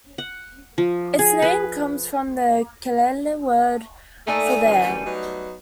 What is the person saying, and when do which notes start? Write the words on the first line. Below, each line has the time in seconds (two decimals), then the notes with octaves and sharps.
Its name comes from the Kele word for "there".
0.18 F#5
0.78 F3
1.19 G#4
1.42 B4
4.27 A3 A#3 D#4 D5 G#5
4.64 F#2 D3 E3
4.86 G3 A3
5.05 F#3 B3 D#4